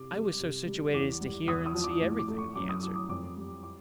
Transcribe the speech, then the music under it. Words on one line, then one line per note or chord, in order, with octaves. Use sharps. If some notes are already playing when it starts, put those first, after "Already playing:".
"I was so situated as to hear and see everything," he answered.
Already playing: C3 D6
G3
C3
G3
E2 D6
G3
E2 D#6
D#6
F3
D6
A2
D6
A3
C#6
F#2 D6
D#6
F#3 D6
D6
F2 D6
G3
D6